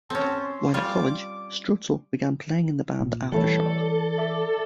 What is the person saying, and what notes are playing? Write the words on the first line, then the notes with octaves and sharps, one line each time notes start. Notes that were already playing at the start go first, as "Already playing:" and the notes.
While at college Stroetzel began playing in the band Aftershock.
C4 C#4 A5
C6
G3 F4 D6
A#2
E3 G3 A3 A4 C#5
D5
D5 E5 D6